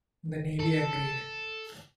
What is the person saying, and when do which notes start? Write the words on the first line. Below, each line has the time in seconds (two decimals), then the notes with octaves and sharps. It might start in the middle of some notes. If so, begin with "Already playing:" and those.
The Navy agreed.
0.59 A4